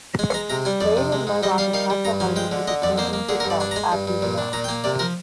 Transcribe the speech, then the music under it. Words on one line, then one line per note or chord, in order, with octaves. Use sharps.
Cade and Murdoch attacked the Hardys with the championship belts after the match.
G#3 G#5
G#5
G#3 A#5
C3 A#5
G3 G#5
F2 D5
C3
G#3
G#2
G3 D#5
G3 F5
D#3 F5
G3
G2 A#5
F3 G#5
G#3 G5
D3
D3 D#5
F2 D5
A#3 C5
A#3
D3 G#4
A#4
G2
D5
D4 G#5
A#5
G#3 G#5
G2
G2
A#2
D4
A#2 A#5
G5
A#3 G#5
C3 D5
F3 A#4